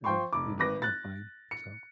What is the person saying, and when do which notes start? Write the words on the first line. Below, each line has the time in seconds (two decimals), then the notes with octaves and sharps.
of, you know, of mine, so
0.04 F3 C5 G5 C6 C#6
0.33 F1 D6
0.59 G#1 B4 D6 A#6
0.82 F#6 A6
1.51 C#7